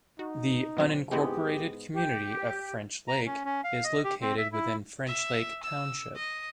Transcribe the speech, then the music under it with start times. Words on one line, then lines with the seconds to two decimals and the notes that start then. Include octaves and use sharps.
The unincorporated community of French Lake is located within French Lake Township.
0.19 D#4 F#4
0.77 B2 F#3 C4
1.11 G#2 G#3 B3 C4 D#4 E4 G4
1.92 G4
3.08 A#5
3.26 C#4
3.45 C#4
3.64 F5
3.84 D#5
4.04 G4
4.21 C4
4.37 E5
4.52 E4
5.07 E5
5.64 E6
6.16 D#5